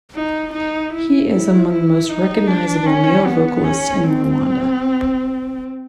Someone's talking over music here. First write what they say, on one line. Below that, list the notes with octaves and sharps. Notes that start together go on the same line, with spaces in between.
He is among the most recognizable male vocalists in Rwanda.
D#4
D#4
E4
E4
E4
D#4
D4
C#4
B3
C#4
C4